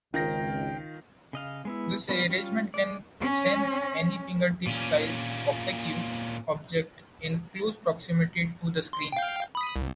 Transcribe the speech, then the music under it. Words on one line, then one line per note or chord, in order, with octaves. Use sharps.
This arrangement can sense any fingertip-sized opaque object in close proximity to the screen.
G#1 C#2 D#3 F4 G5 A#6
C#3 D#5 F5
G#3 B3 E4
G3 B3 C#4 F4
G3 C#4 F4
G#3 D5
C#4
A#2 C#4
C6
F5 G5
B5 D#6
C2